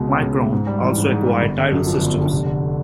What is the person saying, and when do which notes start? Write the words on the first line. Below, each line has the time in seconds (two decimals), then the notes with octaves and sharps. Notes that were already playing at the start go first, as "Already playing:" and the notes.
Micron also acquired Tidal Systems.
Already playing: C#2 B2 G#3
0.08 C#4
0.22 C#2
0.38 G#3
0.53 G#2
0.67 G3
0.82 E3
0.98 G#2
1.12 G#2
1.27 G3
1.42 G1
1.58 D3
1.72 F#2
1.87 F3
2.02 G1
2.17 D3
2.32 F1
2.46 D3